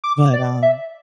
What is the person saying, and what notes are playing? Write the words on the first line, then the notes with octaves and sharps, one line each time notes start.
But, um
D6
D5
E5